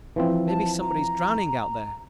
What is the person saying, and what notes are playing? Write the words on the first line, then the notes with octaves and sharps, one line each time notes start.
Maybe somebody is drowning out there.
E3 F3 C4
A5
A#5